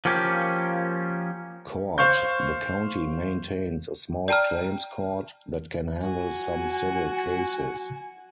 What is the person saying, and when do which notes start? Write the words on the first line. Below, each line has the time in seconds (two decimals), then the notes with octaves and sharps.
Court: The county maintains a small claims court that can handle some civil cases.
0.05 F3 A#3 C#4 G4
1.98 C5 F5 C#6 G6
4.28 D5 G5 A5 A#5 F6
6.03 F#4 G#5